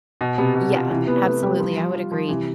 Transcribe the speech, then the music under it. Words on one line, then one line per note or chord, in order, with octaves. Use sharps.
Yeah. Absolutely. I would agree.
B2
C3 B3
B2
F4
C3 E3
E3 B3
A3 B3
G3 G4
F3
F3
F4
F3
C3 E3